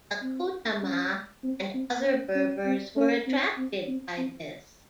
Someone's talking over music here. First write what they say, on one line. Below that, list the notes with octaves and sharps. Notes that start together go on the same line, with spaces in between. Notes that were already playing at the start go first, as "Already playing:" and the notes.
The Kutama and other Berbers were attracted by this.
C4
C#4
C4
C4
C#4
C#4
C4
C#4
C4
C4
C4
C4